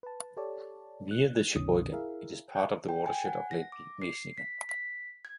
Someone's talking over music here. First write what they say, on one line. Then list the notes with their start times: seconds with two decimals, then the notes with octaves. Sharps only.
Via the Sheboygan, it is part of the watershed of Lake Michigan.
0.03 B4 A5
0.37 G4 A4 C#5 D5 A5
1.11 F#6
1.56 C2 F#2 B2 D#3 C#4 D#6
1.92 E4 G#4 A#4 E5 F5
2.55 G5 G#5 C#6 F#6 G6
2.89 G5
3.06 G#5
3.25 F#5
3.51 A#6
3.72 D6
4.02 C7
4.38 B6
4.69 B6
5.25 G#6